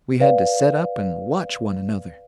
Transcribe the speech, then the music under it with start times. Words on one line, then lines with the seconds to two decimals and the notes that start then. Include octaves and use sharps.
We had to set up and watch one another.
0.20 B4 D5 F5